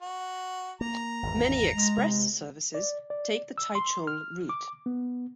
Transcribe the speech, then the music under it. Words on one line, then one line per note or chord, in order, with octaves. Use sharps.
Many express services take the Taichung route.
F#4
A#3 A#5
G#1 E2
G#3
C3
D5
D5
E6
C6
F6
D6
B3